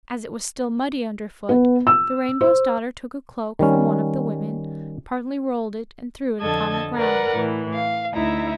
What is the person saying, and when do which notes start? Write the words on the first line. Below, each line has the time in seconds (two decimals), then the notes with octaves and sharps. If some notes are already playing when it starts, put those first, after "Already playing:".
As it was still muddy underfoot the Rainbow's Daughter took a cloak from one of the women, partly rolled it and threw it upon the ground.
1.49 B3
1.87 E6
2.41 C5
3.59 D#3 G3 C#4
6.40 F2 D3 A4 D#5 A5 G#6
6.95 A#4 B4 D5 F#5
7.32 A2 E3
7.74 F5
8.13 D2 D#4 E4 E5 A#5